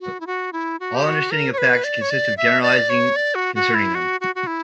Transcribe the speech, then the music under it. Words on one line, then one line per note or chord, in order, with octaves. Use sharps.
All understanding of facts consists in generalizing concerning them.
F#4
E4
F#4
E4
F#4
G4
F#4
A#4
C#5
B4
D5
C#5
D5
E5
D5
C#5
D5
F#4
F#4
E4
F#4
F#4
F#4
E4